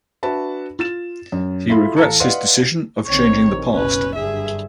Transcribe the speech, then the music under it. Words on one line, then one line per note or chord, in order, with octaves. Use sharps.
He regrets his decision of changing the past.
D4 F#4 B4 E5 A5 B5
F4 A6 E7
F#2
E4 F4 A4 F5 B5 C6
A1 A4 F5 A5 A#5 C#7
B4 D5 D#5 F5 F#5 C6
A#1 D#3 C4 C#5
F#1 C2 B2 C#4 B4
G2 D3 G#4 E5